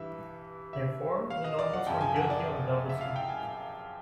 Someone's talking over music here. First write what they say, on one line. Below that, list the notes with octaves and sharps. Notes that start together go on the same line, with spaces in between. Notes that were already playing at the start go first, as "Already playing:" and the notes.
Therefore, the nobles were guilty of a double sin.
Already playing: G2 E3 E5
E5
F5
D#5
D5
F#5
F#2 C#3 F3 G5
G#5
F#5
D5
E5
F5
G5
G#5